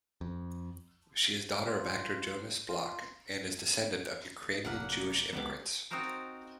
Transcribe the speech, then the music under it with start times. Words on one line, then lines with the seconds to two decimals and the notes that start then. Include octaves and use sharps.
She is daughter of actor Jonas Bloch, and is descendant of Ukrainian Jewish immigrants.
0.21 F2
1.66 F4
2.68 F4
4.65 F1 A#3 F#5 F6 B6
5.33 C#2 B3 G4 B5 D6
5.91 C4 D#4 F4 F#4 A#4 C5